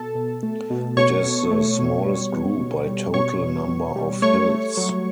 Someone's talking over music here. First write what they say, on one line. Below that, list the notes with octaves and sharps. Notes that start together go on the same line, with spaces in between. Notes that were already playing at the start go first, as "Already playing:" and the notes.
It is the smallest group by total number of hills.
Already playing: B2 A4 A5
B2
A3
B2
B2 C#5 C#6
B2
A3
B2
G3
B2
B2
G3
B2 C#5 C#6
B2
B2
G3
A3 C#5 C#6
A3
F#3